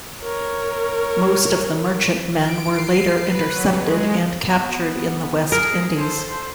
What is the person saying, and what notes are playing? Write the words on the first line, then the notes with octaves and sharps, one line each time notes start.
Most of the merchantmen were later intercepted and captured in the West Indies.
A#4 C#5
D7
C7
B4
F#3
G#3
B3
G#4 A#4
A4 C5